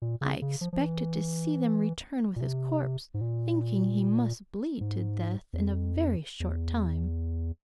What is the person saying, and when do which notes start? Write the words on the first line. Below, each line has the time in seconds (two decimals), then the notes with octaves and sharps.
I expected to see them return with his corpse, thinking he must bleed to death in a very short time.
0.02 A#2
0.21 C#3
0.42 C#3
0.61 F3
0.73 F3
0.81 E3
2.36 A#2
2.41 C3
3.14 G#2
3.21 A#2
4.81 G#2
5.53 E2
5.60 F2
6.40 E2